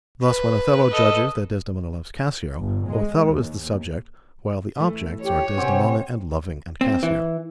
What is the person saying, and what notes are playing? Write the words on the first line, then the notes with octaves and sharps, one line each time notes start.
Thus, when Othello judges that Desdemona loves Cassio, Othello is the subject, while the objects are Desdemona and loving and Cassio.
B4
A4 D#5
G1
G#3
D#2
E3 A3
G4 C#5
C3 C4 C#4 G4 C5 F#5 G#5
C4
E3